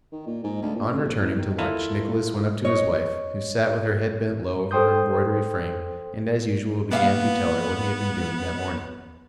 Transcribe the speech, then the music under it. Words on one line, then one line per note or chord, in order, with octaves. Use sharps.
On returning to lunch Nicholas went up to his wife, who sat with her head bent low over her embroidery frame, and as usual began to tell her what he had been doing that morning.
D#3
A#2
G#2
D2
A#2
F1
A#1
E2
D#3
E4 F4 A4 A#4
C#5 D#5
A4 C5 G5 C6 D#6 G6
A#3 B3 E5 F5